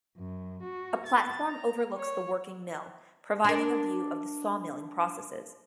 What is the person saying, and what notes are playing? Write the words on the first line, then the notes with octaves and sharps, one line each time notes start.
A platform overlooks the working mill, providing a view of the sawmilling processes.
F#2
F#4
A6
A#5
C#5
D4 A#4